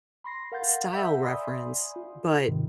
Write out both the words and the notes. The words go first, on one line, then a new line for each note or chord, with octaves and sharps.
style reference, but,
B5 C6 A#6 C7
A#4 F5 F#5 C6 G6 A6
E5 F#5 B5 E6 G6 B6
D5 E5 G#5 B5 C6 D#6
F4
G#2 C3 D#3